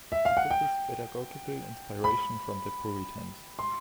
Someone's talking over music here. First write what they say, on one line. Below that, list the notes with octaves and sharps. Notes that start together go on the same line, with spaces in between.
He took his pedagogical inspiration from the Puritans.
E5
F5
F#5
G5
B5
C6